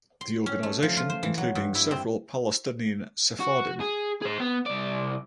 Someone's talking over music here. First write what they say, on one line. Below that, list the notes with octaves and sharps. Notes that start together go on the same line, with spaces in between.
The organization including several Palestinian Sephardim.
C6
C#4
A3
F3
F4
C5
E3
F#3
G2
E4
C4
F#4
G#4
G#4 C5
B3
C2 D5